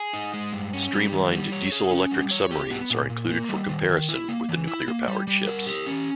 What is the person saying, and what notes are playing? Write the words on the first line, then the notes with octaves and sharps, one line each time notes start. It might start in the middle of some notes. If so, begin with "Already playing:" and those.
Streamlined diesel-electric submarines are included for comparison with the nuclear-powered ships.
Already playing: G#4
D#4
G#3
G2
C#4
G3
D#3
G3
C#5
G#4
C#4
G3
C#5
G4
B3
A#2
A#2
A#3
G3
D#3
D#3
E4
A#3
E3
E4
A#3
G3
G3
A#4
G4
C#4